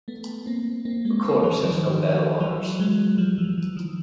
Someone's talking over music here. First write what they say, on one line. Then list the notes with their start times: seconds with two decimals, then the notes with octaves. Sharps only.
The Corps has no battle honours.
0.08 A3 B3
0.46 A#3 C4
0.85 A#3 C4
1.05 G#3 A#3
1.25 A#3 C4
1.44 E3 F#3
1.63 D#3 F3
2.40 E3 F#3
2.79 F#3 G#3
3.18 F3 G3
3.38 E3 F#3
3.58 E3
3.76 D#3 F3